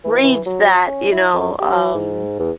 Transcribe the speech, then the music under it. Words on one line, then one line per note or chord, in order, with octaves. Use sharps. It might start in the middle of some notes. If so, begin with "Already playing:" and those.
Reads that, you know, um
E3
E3
F#3
C#4
E4
F2
G4
F#3
G#2
E2